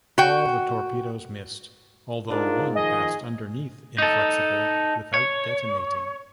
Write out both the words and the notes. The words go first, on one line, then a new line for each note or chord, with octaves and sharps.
All the torpedoes missed, although one passed underneath "Inflexible" without detonating.
F#4 G5
G#2 D4 F4 A#4
D#3 F3 G#4 D#5
D#4 A4
C#5